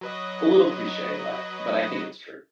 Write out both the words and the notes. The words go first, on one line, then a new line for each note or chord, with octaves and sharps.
a little cliche, but but I think it's true.
F#3 B4 D#5